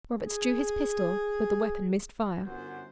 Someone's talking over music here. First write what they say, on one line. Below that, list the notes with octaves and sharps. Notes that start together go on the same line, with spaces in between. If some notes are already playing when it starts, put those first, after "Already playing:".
Roberts drew his pistol but the weapon missed fire.
G#4
G1 F#2 F#4 C5